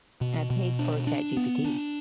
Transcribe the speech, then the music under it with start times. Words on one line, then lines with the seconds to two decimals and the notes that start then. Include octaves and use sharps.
I paid for ChatGPT
0.21 B2
0.50 B2
0.79 D4
1.07 D4
1.37 B3
1.65 D4